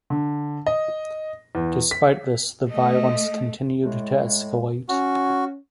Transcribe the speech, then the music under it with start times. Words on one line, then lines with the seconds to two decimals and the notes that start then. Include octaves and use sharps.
Despite this, the violence continued to escalate.
0.10 D3
0.66 D#5
1.55 E2
1.91 B6
2.70 A3 D#5
3.83 A2 G#3
4.89 C#4 F#4